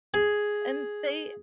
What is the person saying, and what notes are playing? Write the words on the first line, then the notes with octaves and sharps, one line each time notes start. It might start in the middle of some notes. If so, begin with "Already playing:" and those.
and they
G#4